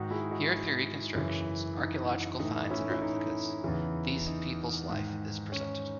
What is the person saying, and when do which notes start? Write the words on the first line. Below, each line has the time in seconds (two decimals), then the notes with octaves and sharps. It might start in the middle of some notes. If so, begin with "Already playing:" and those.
Here, through reconstructions, archaeological finds and replicas, these people's life is presented.
Already playing: G#2 D#3 D#4 F#4
0.10 E4 G#4
0.31 D#4 F#4
1.15 F#2 C#3 E3
1.77 D#4
2.39 A2 E3 D#4
2.70 C#4 E4
2.90 E4
3.02 D#4
3.64 E2 C#3 E3
4.27 D#4
4.89 G#2 D#3
5.52 C#4